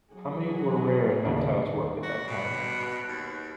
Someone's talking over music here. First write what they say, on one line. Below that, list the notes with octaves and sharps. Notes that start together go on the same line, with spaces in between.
Comedies were rare in Matthau's work at that time.
F#3 G#4
D#2 C#3 D4
F#4
B2
D#2